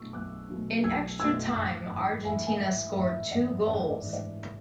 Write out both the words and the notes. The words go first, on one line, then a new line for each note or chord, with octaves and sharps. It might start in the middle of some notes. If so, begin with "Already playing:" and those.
In extra time, Argentina scored two goals.
Already playing: B2 F#3 A3 C#6 E6
B1 D6 F#6
B2 F#3 A3
B1 E6 G#6
B2 F#3 A3 E6 G#6
A1 D6 F#6
G#2 E3 B5 D6
A1 E5 G#5
G#5
F#5
G#2 E3 E5
A1 E5
G#2 E3 D5 F#5
A1 D5 F#5
D5
G#2 E3
D5